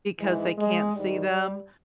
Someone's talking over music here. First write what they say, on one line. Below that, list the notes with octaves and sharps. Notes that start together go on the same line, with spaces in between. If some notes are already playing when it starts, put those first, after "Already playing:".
because they can't see them,
G#2 E3 G#3
G#3
G#2 D#3 G3